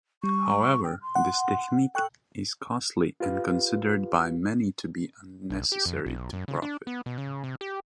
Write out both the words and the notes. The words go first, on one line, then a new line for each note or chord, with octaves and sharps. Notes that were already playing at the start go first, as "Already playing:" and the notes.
However, this technique is costly and considered by many to be unnecessary to profit.
G3 C#6
G5
C6
F#5
A4 G5 C#6 F#6
F4 G4 B4 F5
B1
G4
F2
B1
F#2
C#3
D4
B3
B2
C#3
C3
G4